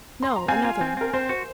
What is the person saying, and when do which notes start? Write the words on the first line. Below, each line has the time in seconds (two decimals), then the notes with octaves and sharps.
"No, another."
0.23 C6
0.36 A#5
0.48 C4 F5 G#5
0.64 F4
0.81 C4
0.97 C4 A#4
1.14 C4 C5
1.29 F#4 C5